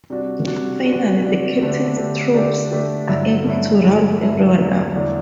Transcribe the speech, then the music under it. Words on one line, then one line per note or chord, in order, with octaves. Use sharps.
Finally, the Captain's troops are able to round everyone up.
C3 G3 D4 F#4
C3 G3 D4 F#4
C3 G3 D4 F#4
C3 G3 D4 F#4
D3 A3 D4 G4
D3 A3 D4 G4
D3 A3 D4 G4
D3 A3 D4 G4
G2 D3 F#3 A3 E4
G2 D3 F#3 A3 E4
G2 D3 F#3 A3 E4
G2 D3 F#3 A3 E4
E2 D3 F#3 A3 D4
E2 D3 F#3 A3 D4